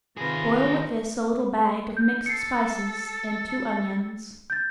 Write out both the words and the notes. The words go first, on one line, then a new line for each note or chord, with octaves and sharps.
Boil with this a little bag of mixed spices and two onions.
C3 D#3 F4 G#4 B4 A#6
G6
A4 C7 C#7
G6 A6